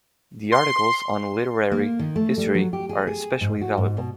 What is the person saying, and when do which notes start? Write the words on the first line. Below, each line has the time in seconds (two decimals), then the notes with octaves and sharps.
The articles on literary history are especially valuable.
0.52 C6
1.72 A#3
1.99 D#3
2.16 A3
2.38 G3
2.55 F#3
2.73 G4
2.89 G#4
3.07 G#4
3.41 G#2
3.61 F#4
3.78 G#2
3.97 B2